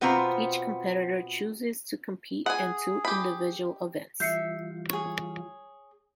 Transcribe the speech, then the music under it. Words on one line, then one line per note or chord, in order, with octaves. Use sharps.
Each competitor chooses to compete in two individual events.
B2 B3 C4 F4 C5 A#5
G#4 F#5 G#5
G4 B5
E3 G3 F4 E5 G6 C7 C#7
G#4 C#5